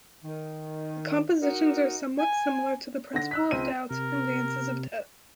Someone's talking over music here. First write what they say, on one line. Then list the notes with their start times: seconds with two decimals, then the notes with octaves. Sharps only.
The compositions are somewhat similar to "The Principle of Doubt" and "Dances of Death".
0.23 D#3
1.41 D#4 F#4 A#4
2.19 G#5
3.13 D3 F#5 A#6
3.31 E6 F#6 B6
3.51 C#2 C4 D#7
3.90 C3 A#4